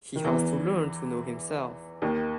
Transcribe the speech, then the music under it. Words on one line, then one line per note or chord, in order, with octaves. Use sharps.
He has to learn to know himself.
D#3
E2 E3
D#2 D#3